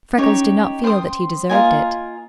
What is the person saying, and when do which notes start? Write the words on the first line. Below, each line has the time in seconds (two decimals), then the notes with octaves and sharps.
Freckles did not feel that he deserved it.
0.18 C#4 D#4 G4 C#5
0.84 C5 G5 C6 D#6
1.50 A#3 F4 A#4 D#5 G#5